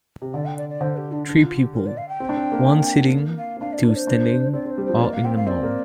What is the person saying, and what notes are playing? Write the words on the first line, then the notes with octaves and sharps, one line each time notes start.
Three people, one sitting, two standing, are in a mall.
C3
D3 D5
G5
D5
D5
D3 C5
G4
D4
D4
F4
G4
A#4
D5
F5
G5
C4
D4
C4
A#3
F5
C4
D4 F5
D5
D4 A#4
D5
C5
D4
C4 D5
C4 C5
G3
F3 C5
A#3 D5
F5
C4 G5
F5
C4 D5
A#3